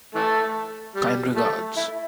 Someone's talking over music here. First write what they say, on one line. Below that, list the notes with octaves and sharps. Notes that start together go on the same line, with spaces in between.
Kind regards.
E3 A3
G3
A3
E4